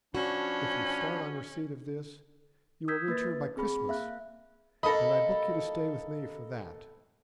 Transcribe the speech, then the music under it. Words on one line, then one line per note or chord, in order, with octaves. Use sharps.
If you start on receipt of this you will reach here by Christmas, and I book you to stay with me for that.
F3 C#4 D4 F#4 B5
D#6 E6 G6 G#6 B6
A#3 B4 A6
C4 G#4 B5
A#3 E5 F5 F#6
A#3 A4 D#5 B5